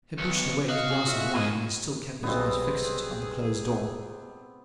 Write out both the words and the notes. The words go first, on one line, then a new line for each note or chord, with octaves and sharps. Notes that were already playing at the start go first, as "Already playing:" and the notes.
He pushed away his glass of wine, and still kept his eyes fixed on the closed door.
B1 C#6
F#4 D#5 F5
G#4
F4 E5 F5
G#2 G#4 A#4 D#5
B1 C3 G3 B3 C4 D#4 G#4 G#5